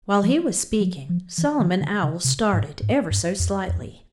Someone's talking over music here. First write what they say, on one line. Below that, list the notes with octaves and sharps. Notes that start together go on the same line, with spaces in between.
While he was speaking, Solomon Owl started ever so slightly.
F3
F#3
F3
E3
D#3
D3
C#3
C3
G#2
G#2
G2
F2
F2